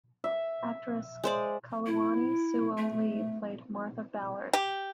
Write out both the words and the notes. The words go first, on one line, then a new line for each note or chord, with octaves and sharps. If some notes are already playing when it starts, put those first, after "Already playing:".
Actress Kaluani Sewell Lee played Martha Ballard.
E5
G#3 C5 D5
E4
A3
G4